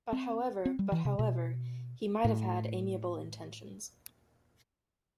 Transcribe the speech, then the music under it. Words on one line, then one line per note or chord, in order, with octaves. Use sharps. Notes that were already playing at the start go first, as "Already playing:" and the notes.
But however, but however, he might have had amiable intentions.
C4
C4
G3
E3
C3
B2
A2